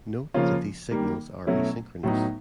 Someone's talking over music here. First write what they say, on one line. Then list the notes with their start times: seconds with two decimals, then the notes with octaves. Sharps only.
Note that these signals are asynchronous.
0.34 C#3 F3 A#3 C#4 F4
0.91 D#3 G3 A#3
1.47 B2 F#3 A3 C#4 E4
2.03 A2 F#3 B3 D#4